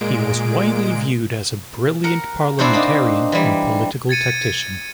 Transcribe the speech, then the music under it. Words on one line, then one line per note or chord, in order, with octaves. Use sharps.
He was widely viewed as a brilliant parliamentarian and political tactician.
A#2 G#3 D7
A#4 F#5
C4 D4 E4 F#4 C5
A#3 D4 D#4
E3 G3
G#6 A6 C#7 D#7